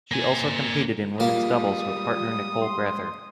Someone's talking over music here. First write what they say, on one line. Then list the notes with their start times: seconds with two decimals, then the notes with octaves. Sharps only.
She also competed in women's doubles with partner Nicole Grether.
0.12 A#3 G#5
1.20 G3 G#3 A#3 F4 D#6
2.61 C6